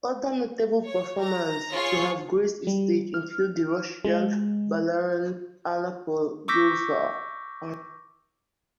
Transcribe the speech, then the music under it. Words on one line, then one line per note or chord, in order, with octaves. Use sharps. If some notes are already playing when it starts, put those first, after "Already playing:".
Other notable performers to have graced its stage include the Russian ballerina Anna Pavlova.
C#5
A#5
F4 G#4 C#5 C#6
G3
F6
G#3
C#6 D6 E6 G6 A#6 B6